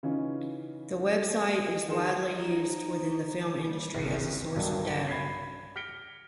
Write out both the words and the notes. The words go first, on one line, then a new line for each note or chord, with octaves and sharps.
The website is widely used within the film industry as a source of data.
C#3 E3 C#4 D#4 F4
D#3 G#4 C6 E7
D#4 C5 D#5
G3 A#3
G1 C2 C#3 F#3 C4 G#4
B1 G2 D#3 F#3 G3
B5 G#6 B6 C7
F6 A#6 B6 C#7 D7 G7